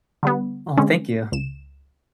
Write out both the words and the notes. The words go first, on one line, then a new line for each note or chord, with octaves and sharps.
Oh, thank you.
D3 G3 B3
D3 G#3 C4 C#4
C#2 E7